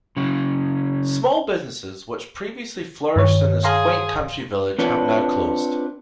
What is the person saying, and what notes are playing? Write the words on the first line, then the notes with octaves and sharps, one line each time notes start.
Small businesses which previously flourished in this quaint country village have now closed.
C#3 F#3
G2 D#3 C#5
G#4 F5 A#5 C6
C4 D4 F4 B4 C#5